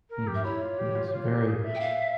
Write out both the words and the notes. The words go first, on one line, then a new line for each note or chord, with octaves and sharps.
Mhm, yes, very,
A#4
G4
E5
E4 C#5
F4
G4
F4
G4
F4
G4
G#4
E5
G5
F5